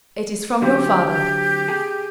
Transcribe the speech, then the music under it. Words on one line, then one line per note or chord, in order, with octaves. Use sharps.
"It is from your father."
D3 F#3 C4 G4
G#4